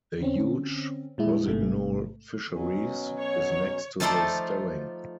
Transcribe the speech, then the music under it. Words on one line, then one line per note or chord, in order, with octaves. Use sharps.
The huge Rosignol Fisheries is next to the stelling.
D3 C4 C#4
A#2 G#3 E4
A1 G#2 C3 A3
B2 F#3 C#4
C#5
F3 A3 D#4 A4 C5 D5